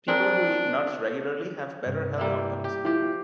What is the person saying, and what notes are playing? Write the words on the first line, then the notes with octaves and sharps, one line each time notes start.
People who eat nuts regularly have better health outcomes.
C4 D4 G#4 A#4
G2 C3
G3 A#3 E4
G4
F3 E4 G4